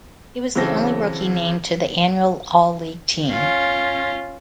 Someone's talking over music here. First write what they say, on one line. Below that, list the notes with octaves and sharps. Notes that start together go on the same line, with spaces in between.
He was the only rookie named to the annual all-league team.
C#3 E3 F#3 C4 A4 A#6
C#4 F4